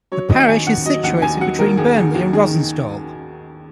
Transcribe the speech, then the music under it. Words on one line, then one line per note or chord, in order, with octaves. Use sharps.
The parish is situated between Burnley and Rawtenstall.
F#3 C#5
D#2 D#5
D#2 G#5
D#2 F#5
F#3 D#5
D#2 F#5
D#2 G#5
F#3 F#5
D#2 A#4
D#2 G#4
D#2 G#4
D#2 F#4
D#3 G#4